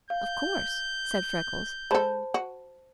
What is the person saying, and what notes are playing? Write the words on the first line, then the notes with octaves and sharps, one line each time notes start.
"Of course!" said Freckles.
F5 G6
G#3 A4 C5 A5 B5
F#4